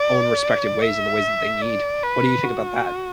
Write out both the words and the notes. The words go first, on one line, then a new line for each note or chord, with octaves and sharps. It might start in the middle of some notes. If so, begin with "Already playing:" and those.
own respective ways and the ways that they need. What do you think about that?
Already playing: D5
E5
D5
B4
F#4